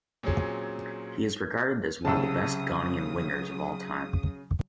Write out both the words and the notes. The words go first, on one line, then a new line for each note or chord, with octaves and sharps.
He is regarded as one of the best Ghanaian wingers of all time.
A#2 F#3 C4 C#4 G#4
C2 C#3 F#3 A5 D#6 E6